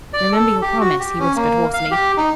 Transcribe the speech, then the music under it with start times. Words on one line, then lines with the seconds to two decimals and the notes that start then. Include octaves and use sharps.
"Remember your promise," he whispered hoarsely.
0.13 D5
0.32 A4
0.61 G4
0.81 F#4
1.00 G4
1.19 C#4
1.36 A#3
1.74 F5
1.91 G4
2.17 D#4